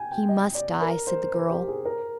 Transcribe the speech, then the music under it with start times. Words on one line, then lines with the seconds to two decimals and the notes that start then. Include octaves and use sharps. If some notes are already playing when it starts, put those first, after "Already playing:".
"He must die," said the girl.
Already playing: G5 G#5
0.12 G5
0.29 D#5
0.55 D5
0.81 A#4
1.07 C5
1.34 A#4
1.50 G4
1.68 G#4
1.85 A#4